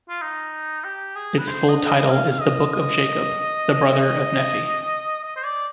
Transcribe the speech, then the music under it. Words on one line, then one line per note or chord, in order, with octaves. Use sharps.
Its full title is The Book of Jacob: The Brother of Nephi.
F4
D#4
G4
G#4
B4
C5
D#5
D#5
F5
F5
D#5
D#5
D#5
D#5
C5
D5